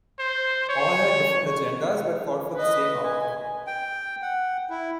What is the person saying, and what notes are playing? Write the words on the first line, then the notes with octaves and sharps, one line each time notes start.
All had different agendas but fought for the same outcome.
C5
C#5
B4 D#5
G#5
G5
F#5
E4